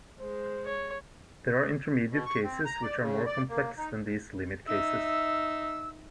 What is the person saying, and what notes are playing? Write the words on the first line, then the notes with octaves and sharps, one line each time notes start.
There are intermediate cases which are more complex than these limit cases.
G#3 C5
C#5
B2
C#6
C4
A#5
D5
C#3
D5
A#3
D#4
D#4 E5 E6